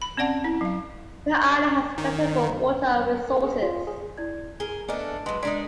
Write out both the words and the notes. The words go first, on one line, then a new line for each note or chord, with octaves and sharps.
The island has plentiful water resources.
B5
C4 C#4 D5 F#5 A5
E4
F#3 F5
D#3
A#4
G#4
F4
G#4
E4 D5 G#6
G#4 A#4 G7
A3 B3 D4 A#4 D#5 G#5
F#3 G#3 B4 C6
G#3 D4 D#4 A#4 D5 B6